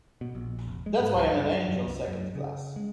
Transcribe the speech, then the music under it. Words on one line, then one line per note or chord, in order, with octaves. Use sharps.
That's why I'm an angel Second Class.
B2
A#1
F1
G#3
G#2
C#2
G2
F#2
C2
F#2
C#3
G#3